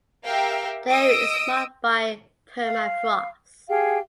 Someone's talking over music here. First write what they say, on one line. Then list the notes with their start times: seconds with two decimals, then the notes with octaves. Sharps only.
The area is marked by permafrost.
0.24 G4 A#4 E5 F5 G5
0.88 D#5 D#6 E6 D7
2.63 F5
3.69 G4 G#4 F5 G5